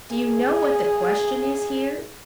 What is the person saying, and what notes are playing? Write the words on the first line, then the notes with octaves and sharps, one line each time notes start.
Do you know what the question is here?
G#4